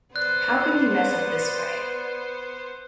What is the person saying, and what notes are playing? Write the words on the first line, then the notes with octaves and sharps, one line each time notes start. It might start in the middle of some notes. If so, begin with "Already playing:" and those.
How can you mess up this way?
B3 C5 D5 F#6